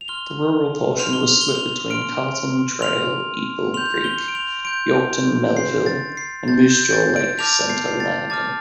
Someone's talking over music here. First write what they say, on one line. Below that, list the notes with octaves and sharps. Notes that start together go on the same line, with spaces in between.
The rural portion was split between Carlton Trail-Eagle Creek, Yorkton-Melville and Moose Jaw-Lake Centre-Lanigan.
F7
C6 F6 G7
C6 F6 F7
G7
F7
G7
F7
C6 F6 D7
C6 F6 F7
C6 G6 F7
F7
G7
D7
F7
C6 G6 D7
C6 G6 C7
A6
C7
C6 G6 A6
G6
G6
A6
D7
A5 D6 F6 F7
C7
C7
A6
A5 D6 F6 A6